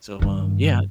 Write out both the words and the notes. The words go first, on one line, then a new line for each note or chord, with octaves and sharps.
So, um, yeah.
G2 D#3